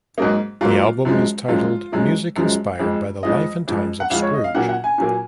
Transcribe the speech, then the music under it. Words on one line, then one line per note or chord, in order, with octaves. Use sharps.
The album is titled "Music Inspired by the Life and Times of Scrooge".
G#2 F#3 A#3 D#4
G#2 F#3 A#3 F4
F#2 F3 G#3
F#2 F3 G#3 F4
F#2 F3 G#3
F#2 F3 G#3
F2 F3 G#3
F2 F3 G#3 D#5
F2 F3 G#3
F#5
F2 F3 G#3 F5
C#5
D#5
F5
A#2 F#3 A#3 F#5
F#5
G#5
A#2 F#3 A#3